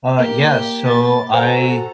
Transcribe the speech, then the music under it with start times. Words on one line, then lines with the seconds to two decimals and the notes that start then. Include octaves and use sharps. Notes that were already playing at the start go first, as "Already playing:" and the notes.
Uh, yeah, so I
0.19 A#3 G4
0.88 A6
1.33 F#4 A4 C5 F#5 G#5 A#5